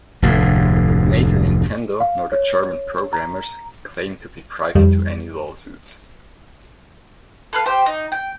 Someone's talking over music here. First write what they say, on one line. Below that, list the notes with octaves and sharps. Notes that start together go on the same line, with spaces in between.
Neither Nintendo, nor the German programmers claim to be privy to any lawsuits.
F1 D2 A2
F5
C#5
A#5
F2 D#3 G3
A4 B4 F5
G4 C5 G5
D#4
G5